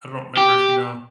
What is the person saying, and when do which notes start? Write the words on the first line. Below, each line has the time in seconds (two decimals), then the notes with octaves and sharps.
I don't remember if, you know
0.38 G4